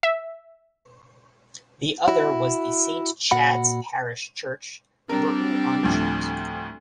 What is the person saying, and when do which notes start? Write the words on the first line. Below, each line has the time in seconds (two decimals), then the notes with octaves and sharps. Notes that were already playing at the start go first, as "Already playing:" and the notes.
The other was the Saint Chad's parish church, Burton-on-Trent.
0.03 E5
2.08 E4 F#4
3.31 A#2 F#4 F#5 B5
5.09 G3 C4 D4 A#4
5.83 D2 A2 F3